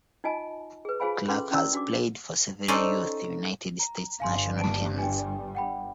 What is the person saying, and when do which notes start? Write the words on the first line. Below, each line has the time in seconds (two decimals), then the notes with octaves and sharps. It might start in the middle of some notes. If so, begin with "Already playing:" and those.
Clark has played for several youth United States national teams.
0.24 D#4 F4 D#5 G#5 A5
0.85 G#4 B4
1.00 F4 G#4 C5 F5 G#5 B5
1.28 C#4 A4 B4 C6 D6
1.51 C#4 E4 D5 E6
1.73 D4 F#4 D6
2.68 C#4 D#4 A4 C5 D5
3.79 A#5
4.20 G1 G2 G3 F5 G#5 C6
4.57 A5 D7
4.98 G5 G#5
5.55 F#5 G5 B5